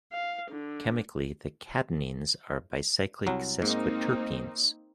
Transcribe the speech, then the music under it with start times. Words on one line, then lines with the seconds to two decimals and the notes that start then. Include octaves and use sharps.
Chemically, the cadinenes are bicyclic sesquiterpenes.
0.13 F5
0.50 D3
3.27 C2 F#3
3.62 G#2 A#3 C4 D#4